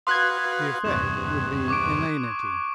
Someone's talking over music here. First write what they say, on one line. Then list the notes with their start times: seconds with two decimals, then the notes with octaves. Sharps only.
The effect would be inanity.
0.07 F#4 B4 F5 C6 D#6 F#6 G#6
0.85 E2 G2 C3 C#6 E7
1.68 C#6 D6 D7